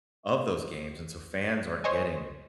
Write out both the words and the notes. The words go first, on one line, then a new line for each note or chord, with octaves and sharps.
of those games, and so fans aren't getting
C5 C#5 D#5 G#5